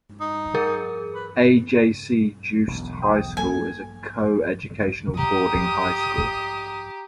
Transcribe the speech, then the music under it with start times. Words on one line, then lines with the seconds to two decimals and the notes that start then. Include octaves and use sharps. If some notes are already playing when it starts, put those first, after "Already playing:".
A. J. C. Jooste High School is a coeducational boarding high school.
0.21 D#4
0.55 G#4 A#4
1.14 B4
2.67 E1 B1
3.02 G5 D#6
3.37 F#3 A#3 A4 G#5
5.18 G4 A#5 D#6